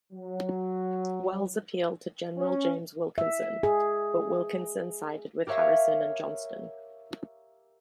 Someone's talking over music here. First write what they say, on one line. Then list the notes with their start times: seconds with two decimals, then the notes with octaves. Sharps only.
Wells appealed to General James Wilkinson, but Wilkinson sided with Harrison and Johnston.
0.13 F#3
2.36 C#4
3.18 E5
3.63 G#4
5.47 G4 A#4 C#5 E5 F5